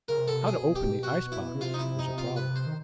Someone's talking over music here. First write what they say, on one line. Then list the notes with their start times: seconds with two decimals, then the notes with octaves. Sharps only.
How to open the ice-box was a problem.
0.08 C#3 A#4
0.18 C3
0.28 A4
0.47 B2 G#4
0.76 G4
1.03 F#4
1.32 E4
1.55 C#3
1.61 C3 F4
1.74 D#4
1.79 E4
1.99 D#4
2.18 F4
2.36 B4
2.56 C5
2.67 D#3